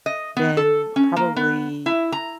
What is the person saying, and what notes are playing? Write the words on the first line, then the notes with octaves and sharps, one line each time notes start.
been probably
D#5
B3
A4
C#4
A#3
B3
E4
A#5